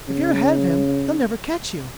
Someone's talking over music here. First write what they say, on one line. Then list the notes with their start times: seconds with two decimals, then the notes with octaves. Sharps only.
If you're ahead of him they'll never catch you.
0.09 C#3